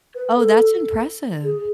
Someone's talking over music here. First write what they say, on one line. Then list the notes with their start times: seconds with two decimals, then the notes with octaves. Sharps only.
Oh, that's impressive.
0.15 B4
0.37 A4
1.43 G#4